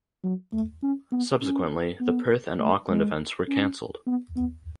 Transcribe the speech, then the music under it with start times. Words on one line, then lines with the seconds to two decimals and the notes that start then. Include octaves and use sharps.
Subsequently the Perth and Auckland events were cancelled.
0.24 F#3
0.53 A3
0.83 C#4
1.12 B3
1.42 C#4
2.01 B3
2.59 A3
2.90 G#3
3.48 C#4
4.07 B3
4.36 B3